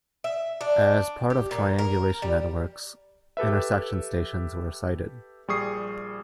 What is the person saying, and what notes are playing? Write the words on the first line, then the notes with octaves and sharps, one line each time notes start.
As part of triangulation networks, intersection stations were sighted.
E5
D4
G4
A#2
A#4
G3
G4 A4 B4 E5
A#1 G3 G#4 C#6 D#6 C7